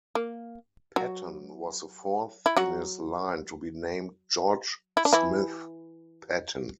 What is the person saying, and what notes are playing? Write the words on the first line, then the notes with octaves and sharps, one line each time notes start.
Patton was the fourth in his line to be named George Smith Patton.
A#3
F#3 F#4
E4
F#3 F#4
E4
D4
E3 E4